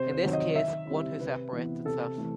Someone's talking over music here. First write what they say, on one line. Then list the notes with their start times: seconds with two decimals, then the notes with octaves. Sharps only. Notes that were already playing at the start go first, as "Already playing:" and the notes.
In this case, "one who separates itself".
Already playing: C3 C5
0.12 C5
0.23 D#3 F#3
0.33 D#5
0.55 D#3 E5
0.87 G3 C4 E4
1.20 C3 B4
1.53 E3 B3 E4
1.85 C3 A4
2.18 E3 A3